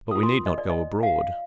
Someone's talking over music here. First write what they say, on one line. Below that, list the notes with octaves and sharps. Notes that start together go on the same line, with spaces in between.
But we need not go abroad.
F4 A#4 D#6
C6
D#5
D5
D#5
F5